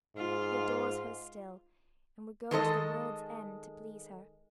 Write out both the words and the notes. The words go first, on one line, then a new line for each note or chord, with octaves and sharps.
He adores her still, and would go to the world's end to please her.
G#2 F4
D#3 G#3 A4 D#5